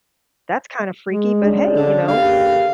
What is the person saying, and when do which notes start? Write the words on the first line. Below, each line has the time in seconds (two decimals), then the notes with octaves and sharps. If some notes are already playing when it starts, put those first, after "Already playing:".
that's kinda freaky, but hey, you know,
1.12 G#3
1.43 C#3 D4
1.76 D3
2.08 C#3 A#3 G4 F5